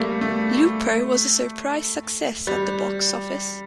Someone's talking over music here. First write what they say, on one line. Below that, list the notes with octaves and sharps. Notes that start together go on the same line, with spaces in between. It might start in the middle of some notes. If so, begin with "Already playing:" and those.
"Looper" was a surprise success at the box office.
Already playing: G3 A3 A#3
A3
G3